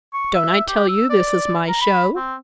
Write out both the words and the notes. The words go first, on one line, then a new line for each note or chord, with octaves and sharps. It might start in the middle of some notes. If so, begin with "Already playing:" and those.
Don't I tell you this is my show?
C#6
E5
G4
E6
D5
A#5
B5
C4